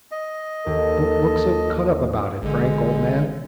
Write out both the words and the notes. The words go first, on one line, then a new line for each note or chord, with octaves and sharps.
Don't look so cut up about it, Frank, old man.
D#5
D#2 A4
A1 D3 G#3